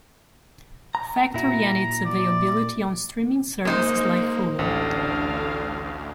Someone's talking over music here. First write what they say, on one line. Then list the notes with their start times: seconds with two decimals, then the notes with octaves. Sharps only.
Factory and its availability on streaming services like Hulu.
0.95 A#5
1.34 A#2 E4 F#4 A#5
2.05 D5
3.65 G#3 A#3 D#4 C5
4.59 A1 D2 D3 D4 F5